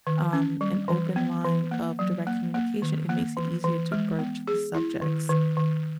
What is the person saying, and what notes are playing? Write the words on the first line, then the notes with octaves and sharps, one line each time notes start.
um, an open line of direct communication, it makes it easier to broach the subjects,
D#3
C#4
G3
E3
B3
E3
A#3
F#3
A#3
A#3
D#3
A#3
E3
E3
G#3
B3
G#4
E4
D#3
D#3
D#3